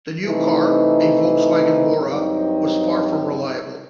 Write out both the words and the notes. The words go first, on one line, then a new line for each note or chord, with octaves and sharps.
The new car, a Volkswagen Bora, was far from reliable.
C3 E3 A3 D#4
G2 F#3 C4 D#4